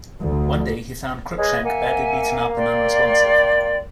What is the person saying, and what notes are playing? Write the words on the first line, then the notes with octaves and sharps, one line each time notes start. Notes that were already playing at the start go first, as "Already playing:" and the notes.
One day he found Crookshank badly beaten up and unresponsive.
D2
G#3 B4 C#5 D#5
A#3 E5 F#5 G#5
D5 G5 C6